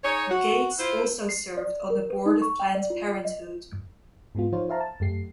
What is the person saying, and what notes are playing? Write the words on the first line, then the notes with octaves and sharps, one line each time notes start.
Gates also served on the board of Planned Parenthood.
D#4 G#4 C#5
F#4
E4 F4 C5
C7
D5
A#4
B4
D#4
C#6
G5
D5
F4
D#5
G#2 G#3 B3 F4
F3 D#4 F4 C5 C#5
C5 E5 F5 A5 A#5
A5
F#2 A3 G4 C7